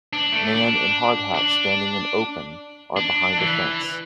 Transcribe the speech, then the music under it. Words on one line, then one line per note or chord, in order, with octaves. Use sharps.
Man in hard hat standing in open are behind a fence.
D4
A3
D4
D4
D4
E3